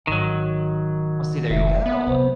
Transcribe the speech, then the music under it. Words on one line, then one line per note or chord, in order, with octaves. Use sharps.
Oh see, there you go.
G#1 D#3 F#3
F1 E5
B3
C3 F#3 C5